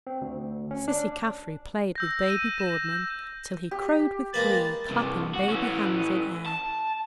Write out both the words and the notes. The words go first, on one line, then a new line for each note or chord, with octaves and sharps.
Cissy Caffrey played with baby Boardman till he crowed with glee, clapping baby hands in air.
C4
D2
C#4
D4
E6 G6 A#6
D#7 E7
A#6 E7
G6
G4
G#3 A#3 B4 A6
G2 C3
F#4
E3 C#4
A5